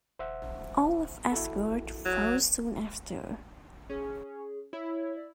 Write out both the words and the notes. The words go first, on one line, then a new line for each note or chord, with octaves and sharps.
All of Asgard falls soon after.
D#1 C5 E5 F#5
G1 E4 F#4 A4
A#1
F#3
C#4 G#4
E4 C#5
D5